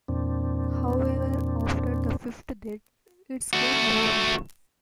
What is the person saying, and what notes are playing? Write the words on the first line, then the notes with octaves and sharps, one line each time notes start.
However, after the fifth death, it's game over.
E2 A#2 C4 D4
A3 F#4